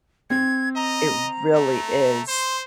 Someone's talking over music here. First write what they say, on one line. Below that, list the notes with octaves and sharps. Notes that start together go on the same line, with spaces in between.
It really is.
C4 G#6
D#5 A#5
A3
C5 C6